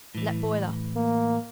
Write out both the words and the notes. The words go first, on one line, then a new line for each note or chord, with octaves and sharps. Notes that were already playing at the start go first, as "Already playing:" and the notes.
Let boil up.
A2 E3
A#3